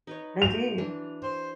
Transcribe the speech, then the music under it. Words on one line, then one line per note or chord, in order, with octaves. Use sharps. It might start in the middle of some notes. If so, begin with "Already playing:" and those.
They do.
D#4 B4 C#5
F#4 C5 F7
E3 D4
C5